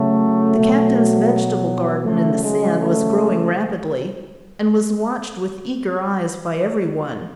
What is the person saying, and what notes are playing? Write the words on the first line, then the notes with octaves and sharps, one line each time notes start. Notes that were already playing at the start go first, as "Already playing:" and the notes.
The captain's vegetable garden in the sand was growing rapidly, and was watched with eager eyes by everyone.
Already playing: C#3 F#3 A3
B2 F#3
C#3 F#3 A3
G#3
A3